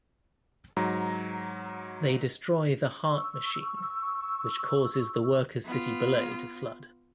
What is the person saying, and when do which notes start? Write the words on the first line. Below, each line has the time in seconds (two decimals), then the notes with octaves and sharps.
They destroy the Heart Machine, which causes the workers' city below to flood.
0.77 G#2 F#3 A#5
3.10 C#6 E6
5.64 B3 F4